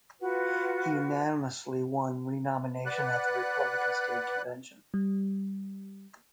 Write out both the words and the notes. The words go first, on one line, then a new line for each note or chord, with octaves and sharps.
He unanimously won renomination at the Republican state convention.
F4 F#4 B4 F#5
B4 D5 F#5 F#6
G3